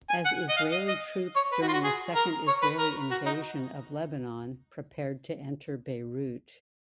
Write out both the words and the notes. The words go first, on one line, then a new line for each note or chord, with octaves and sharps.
As Israeli troops during the second Israeli invasion of Lebanon prepared to enter Beirut.
G#5
F#5
D#5
F5
D#5
D#5
C#5
B4
F#4
F4
F#4
G#4
A#4
C#5
B4
A#4
F#4
D#4